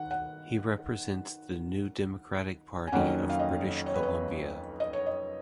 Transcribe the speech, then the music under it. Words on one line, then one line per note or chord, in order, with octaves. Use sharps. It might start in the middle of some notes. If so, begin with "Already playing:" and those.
He represents the New Democratic Party of British Columbia.
Already playing: D#3 F#5
F#5
G#5
F2 D#3 F#3 A#3 C#4 F#5
F5
D#5
C#5
B4
C#5
D#5
C#5
D#5